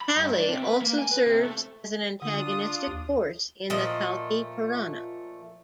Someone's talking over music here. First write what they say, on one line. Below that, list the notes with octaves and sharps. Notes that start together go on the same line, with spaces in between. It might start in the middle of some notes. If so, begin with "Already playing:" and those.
Kali also serves as an antagonistic force in the Kalki Purana.
B5
G2
D4
C3
B4
A#3
G#5
B4
C3
A3
D3 D4 F4 D#6
D#2
A#2 F3 A3 D#5